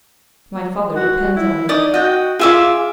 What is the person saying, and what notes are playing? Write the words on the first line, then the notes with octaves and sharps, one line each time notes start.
My father depends on it.
F#4
E4
D#4 D5 D#6
F#4 D#5 G5
F4 G#4 E5 D6